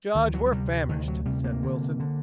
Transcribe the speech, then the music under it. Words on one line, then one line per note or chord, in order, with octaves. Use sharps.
"Judge, we're famished," said Wilson.
D2 D#3
F#3
F#3
C3 G3
D2 D#3
F#3
C3 G3
A#3
D3
D3